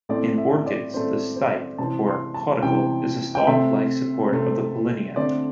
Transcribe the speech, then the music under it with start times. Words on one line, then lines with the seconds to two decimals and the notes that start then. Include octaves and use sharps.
In orchids, the stipe or caudicle is the stalk-like support of the pollinia.
0.09 A2 A3 C4 D5
0.38 E5
0.66 D5
0.94 A2 A3 C4 C5
1.36 C5
1.78 C3 E3 C4 A5
2.07 C6
2.34 A5
2.63 C3 E3 C4 G5
3.35 G5
3.47 C3 A3 C4 E5
4.32 C3 A3 C4
5.16 D3 A3 C4 D5